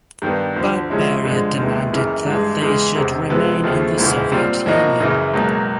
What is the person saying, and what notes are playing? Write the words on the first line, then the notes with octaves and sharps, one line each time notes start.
But Beria demanded that they should remain in the Soviet Union.
G2 D#3 G3 B3
D2 D3 F3
C3 F3 G#3 C#4 E4
G2 D3 F3 G#3
D#2 D#3 G#3 B3 E4
F#1 F#2 C#3 E3
G2 E3 G#3
E2 C#3 E3 G#3
E1 E2 C3
C3 F3 G#3 B3
D#2 C#3 F3 A3 C4
E1 D2 C#3 E3
A#2 G3 C4 F4
A2 F3 A#3 D#4 F#4
F#1 F#2 C#3 E3
C#2 B2 F#3 A#3